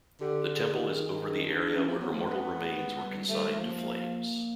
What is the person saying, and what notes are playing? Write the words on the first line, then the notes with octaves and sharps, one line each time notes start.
The temple is over the area where her mortal remains were consigned to flames.
D3 G4
G#4
D#3 G4
G#4
G#4
G#4
D4
D4
E3 C#4
F3 C4
F#3 B3
F3 A3
G#3 B3
A3
G#3
G3
G3 A3
G#3
F3
A#3